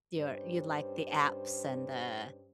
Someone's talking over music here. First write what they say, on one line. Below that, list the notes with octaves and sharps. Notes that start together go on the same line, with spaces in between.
your you like the apps, and the
G2 C#4 C5